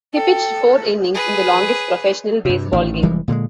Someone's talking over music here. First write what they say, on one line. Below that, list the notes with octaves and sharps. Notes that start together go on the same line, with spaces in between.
He pitched four innings in the longest professional baseball game.
A4 G5
G#4 B4
G2 C3
A1 D#3
F1 E3 G3 G#3
A#2 D3 G3 G#3